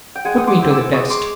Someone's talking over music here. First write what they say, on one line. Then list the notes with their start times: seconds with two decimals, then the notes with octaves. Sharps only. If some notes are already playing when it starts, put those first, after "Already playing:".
"Put me to the test."
0.15 G5
0.25 G#3 F#5 G#5
0.38 D#6
0.47 C6 D6
0.59 C4 E4
0.70 D6 E6
0.93 G#3 C#6 D#6
1.10 C6 D6